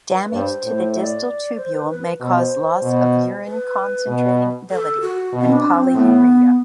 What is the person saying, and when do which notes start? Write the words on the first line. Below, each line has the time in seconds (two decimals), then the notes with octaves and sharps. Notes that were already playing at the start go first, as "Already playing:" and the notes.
Damage to the distal tubule may cause loss of urine-concentrating ability and polyuria.
0.13 B4
0.33 G2 C5 D5
0.65 A2
0.95 E5
1.00 D5
1.57 C5
1.74 B4
1.90 B4
2.20 B2 C5
2.82 B2
3.45 B4
4.07 B2
4.70 A4
5.01 F#4
5.33 B2
5.41 C4
5.52 D4
5.74 C4
5.94 A2 B3